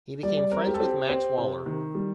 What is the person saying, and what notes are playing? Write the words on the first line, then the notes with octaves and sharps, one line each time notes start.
He became friends with Max Waller.
G3 D5
D5
C4 A#4
G4
A4
C4 G4
C4
C3
D#3
G3